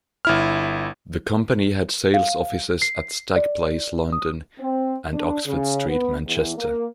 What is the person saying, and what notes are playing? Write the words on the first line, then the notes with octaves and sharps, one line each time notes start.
The company had sales offices at Stag Place, London and Oxford Street, Manchester.
G1 E4 F6
F5
C7
D5
D#6
C4
D4
C#3
B3
E2
A#3